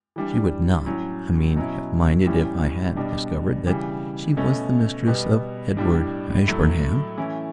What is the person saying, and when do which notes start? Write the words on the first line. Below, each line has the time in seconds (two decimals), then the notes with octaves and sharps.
She would not, I mean, have minded if I had discovered that she was the mistress of Edward Ashburnham.
0.16 E3 G3 D4
0.86 A2 F#3 C#4
1.56 B2 F#3 C#4 E4
2.26 A2 E3 G3 C#4
2.96 B2 G3 D4
3.67 C#3 E3 G3
4.37 B2 A3 C#4
5.07 B2 G3 B3
5.77 A2 G3 D4
6.48 A2 F#3 A3 E4
7.17 E3 A3 C#4 E4